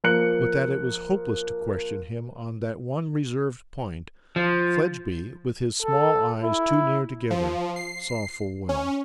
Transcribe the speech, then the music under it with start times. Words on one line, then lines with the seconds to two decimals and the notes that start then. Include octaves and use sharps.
But, that it was hopeless to question him on that one reserved point, Fledgeby, with his small eyes too near together, saw full well.
0.04 F3 A#3 A#4 F#6 C#7 F#7
4.36 F3
5.83 A4
6.43 E4
7.31 F3
7.76 C7
8.69 C#4